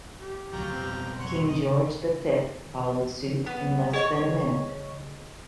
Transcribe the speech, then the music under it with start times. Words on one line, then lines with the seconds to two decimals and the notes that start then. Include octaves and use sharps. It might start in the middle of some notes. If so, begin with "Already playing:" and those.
"King George the Fifth" followed suit in less than a minute.
0.20 G4
0.53 D#1 D2 C#3 F#3 F4 G5 A#5
0.71 F1 B1 B3 C4
1.19 F1 C#5 F#5 C6
1.47 F#1 E3 D#5
3.46 B3
3.94 G#4 C#5 D#5